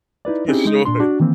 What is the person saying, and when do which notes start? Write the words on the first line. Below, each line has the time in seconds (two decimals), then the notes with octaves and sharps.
For sure.
0.25 D#4 E4 B4 D5
0.48 C4 C#4 D#4 E4 G4 G#4
0.65 G#3 D#4
0.85 A#2 D4 C6
1.00 D4 F#4
1.20 D#3 E3 A#3 C4